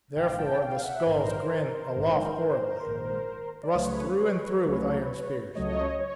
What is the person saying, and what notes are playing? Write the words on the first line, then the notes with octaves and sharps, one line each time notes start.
Therefore the skulls grin aloft horribly, thrust through and through with iron spears.
A#1 G#2 D#3 F5 G5
G5 A5
F5 G5
E5 F#5
A#1 G#2 D#3 A#4 C5
A#1 G#2 D#3
A#1 G#2 D#3
D5
C#2 C#3 F#3 A3 B4 C#5
C#2 C#3 F#3 A3
C#2 C#3 F#3 A3 C#5 D#5
C#5